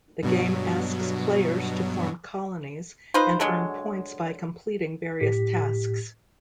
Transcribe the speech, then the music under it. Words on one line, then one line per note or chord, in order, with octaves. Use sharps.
The game asks players to form colonies and earn points by completing various tasks.
G2 B2 F#3
D#4 F4 B4 C5
D3 F#3 G#3
A2 G4 B6